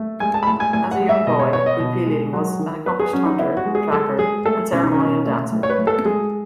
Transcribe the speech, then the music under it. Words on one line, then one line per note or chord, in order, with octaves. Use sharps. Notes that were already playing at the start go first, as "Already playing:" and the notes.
As a young boy, Gulpilil was an accomplished hunter, tracker and ceremonial dancer.
Already playing: A3
G#3 G#5
A5
B5
A2 A5
G#5
A2 G#5
F#5
G#3
E5
B2 D#5
C#5
B3 C#5
D#5
B2
G#3
F#3
D#3
B3 B4
G#4
F#3 C#4
D#4
B3 E4
F#4
G#3
G#4
G#3 A4
G#3 G#4
A3 A4
B2 C#4
D#4
B2 C#4
A3
A2
C#5
B4
A2
A4
G#3 G#4